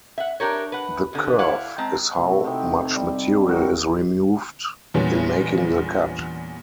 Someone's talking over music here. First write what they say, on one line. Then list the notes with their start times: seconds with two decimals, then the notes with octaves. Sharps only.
The kerf is how much material is removed in making the cut.
0.18 E5 F#5
0.40 D4 G4 A#4 C#5
0.72 B4 F#5
1.13 E2 D3
1.39 E4 D5 F5 F#5
1.78 G#3 C4 A5 A#5
2.16 C3 A3 E4 F#4
2.44 C3 C4 D#4 G4
2.76 G#5
2.95 G3
3.48 C4 F#4 A#4 D5
4.94 E2 A#2 G3 B3 C#4 D4